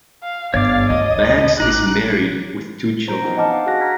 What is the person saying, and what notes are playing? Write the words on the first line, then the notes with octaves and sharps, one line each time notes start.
Banks is married with two children.
F5
G1 C#5 D5 F5 D6
D2 D#5
A1 D#4 G4 F#6
C5 A#5 G6 A#6 D7
B3 C#4 D#4 G4 C5
D#5 F#5 A5 D6 F6
D4 F5
F#4 G#4 F#5 A5 F#6 A#6
A#5 F6 F#6 G#6 B6